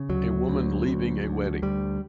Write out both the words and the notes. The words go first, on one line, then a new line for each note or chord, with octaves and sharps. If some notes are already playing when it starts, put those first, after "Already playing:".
A woman leaving a wedding.
Already playing: C#3
D2 F#3
D2
D2
D2
D2 G3